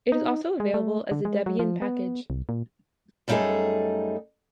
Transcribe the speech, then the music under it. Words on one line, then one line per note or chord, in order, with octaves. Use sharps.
It is also available as a Debian package.
D#4
G#3
A3
D3
G#3
F#3
F3
B3
C2
A#2
F#2 G3 A3 C#4 D#4 G#4